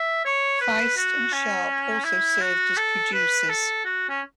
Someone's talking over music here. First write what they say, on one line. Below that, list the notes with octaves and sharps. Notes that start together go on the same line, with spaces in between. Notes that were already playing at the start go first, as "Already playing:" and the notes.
Feist and Sharpe also served as producers.
Already playing: E5
C#5
B4
F#4
C#4
E4
F#4
A4
B4
A4
F#4
C#4